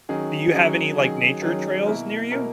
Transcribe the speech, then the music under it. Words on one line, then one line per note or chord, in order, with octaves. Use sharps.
Do you have any, like, nature trails near you?
D#3 F#3 C#4 G#4
D#3 F#3 C#4 G#4
D#3 F#3 C#4 G#4
D#3 F#3 C#4 G#4
B2 A#3 E4 A#4
B2 A#3 E4 A#4